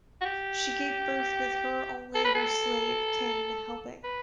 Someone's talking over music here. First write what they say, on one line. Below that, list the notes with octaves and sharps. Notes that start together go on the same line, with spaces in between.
She gave birth with her only her slave, Kian, helping.
F#4
G4
A4
B4
A4
B4